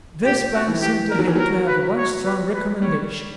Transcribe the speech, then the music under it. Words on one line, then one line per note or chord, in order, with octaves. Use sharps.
This plan seemed to him to have one strong recommendation.
A#2 G4
F#4
E3
G4
G3 A#4
F#3
E3
F#3 A#4
B4
C#5
B4
B4
G3 C#5